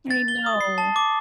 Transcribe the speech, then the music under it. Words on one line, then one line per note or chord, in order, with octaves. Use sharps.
I know.
A6
G7
D#6
C7
A5
D6